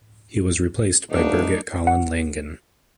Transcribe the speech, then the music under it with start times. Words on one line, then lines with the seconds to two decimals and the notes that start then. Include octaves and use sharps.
He was replaced by Birgit Collin-Langen.
1.10 D#1 A3 D4 D#4
1.87 F#5